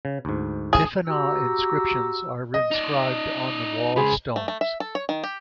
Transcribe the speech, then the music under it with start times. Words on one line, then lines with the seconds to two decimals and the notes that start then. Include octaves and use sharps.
Tifinagh inscriptions are inscribed on the wall stones.
0.05 C#3
0.25 D2 G#2
0.73 G#4
1.07 F#4 G4 A#5 E6
2.54 D#5
2.71 D#4 D5
3.96 C#3 G#3 G#4 C5 B5
4.36 A3
4.48 A3
4.61 E5
4.80 A4
4.95 C#5
5.09 D#3
5.24 G4